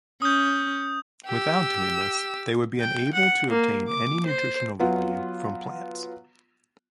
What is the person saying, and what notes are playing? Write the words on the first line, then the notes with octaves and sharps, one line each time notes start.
Without doing this they would be unable to obtain any nutritional value from plants.
C#4 D#6 G6
G4 E6
G5
F#5
A#3
D6
C5
F#3 B3 F4